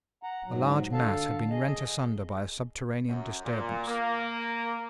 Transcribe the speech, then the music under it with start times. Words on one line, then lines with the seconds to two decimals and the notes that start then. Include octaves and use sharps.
A large mass had been rent asunder by a subterranean disturbance.
0.23 F#5 A#5
0.46 G#2 F#3
0.93 D3 A4 F5 A5
1.50 G#4 D#5
3.09 F#2
3.45 A#2
3.87 A#3